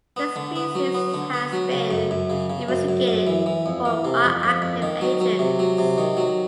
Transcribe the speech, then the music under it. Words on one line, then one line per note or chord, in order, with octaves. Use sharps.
The species has been investigated for bioactive agents.
B3
D3
B3
F#3
B3
D3
B3
F#3
C#3
F#2
F#2
C#3
C#3
F#2
F#2
F#2
E3
E3
F2
E3
C3
F2
F2
F2
D#3
F#3
F#3
C3
F#3
C3
D#3
F#3